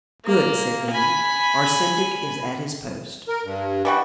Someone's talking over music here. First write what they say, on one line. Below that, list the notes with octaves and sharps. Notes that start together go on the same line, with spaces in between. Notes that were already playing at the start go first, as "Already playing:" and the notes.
"Good," said he, "our syndic is at his post."
A#3
G#5 B5
A#4
G2
E3 G3 F#4